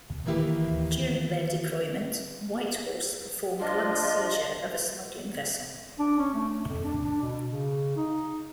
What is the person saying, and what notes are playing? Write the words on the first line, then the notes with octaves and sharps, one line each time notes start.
During their deployment, "Whitehorse" performed one seizure of a smuggling vessel.
D#3 E3 A#3 E4 G4 B4
F3 D4 F4 D#5
D4
C#4
A3
F2
D4
D4
B2
C#3
D#4